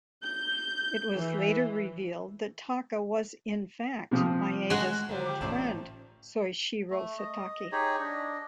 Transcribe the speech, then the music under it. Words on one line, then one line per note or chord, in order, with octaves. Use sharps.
It was later revealed that Taka was, in fact, Maeda's old friend, Soishiro Satake.
G6
E3
C3 F3 D#6
G#3 F#4
D3 D#3 F3 G3
G4 G5 D6
A1 A3 D5 E5 A5 C#6
A3
D#5
D#4 G4 G#4 C#5
D4 D#5